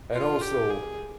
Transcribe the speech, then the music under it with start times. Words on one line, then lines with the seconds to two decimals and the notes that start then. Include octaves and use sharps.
and, also,
0.14 F4
0.41 G4
0.70 G#4